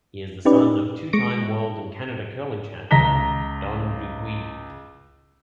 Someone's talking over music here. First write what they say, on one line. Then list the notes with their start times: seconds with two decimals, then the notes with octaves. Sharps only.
He is the son of two time world and Canada curling champion Don Duguid.
0.45 C#4 D#4 G4 B4 D5
1.13 G#3 C#6 A#6 D7
2.91 C#2 A#5 A#6 B6 G7